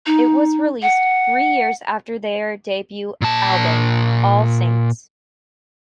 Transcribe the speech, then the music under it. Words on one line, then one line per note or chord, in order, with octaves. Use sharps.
It was released three years after their debut album, "All Saints".
D#4
F#5
A#2 A5